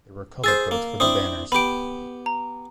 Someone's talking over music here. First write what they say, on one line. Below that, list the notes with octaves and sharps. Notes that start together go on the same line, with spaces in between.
There were color codes for the banners.
G#4 C5 E6 A6
A#3
C4 D4 E4 D#6
B3 G4 B5 D7
A#5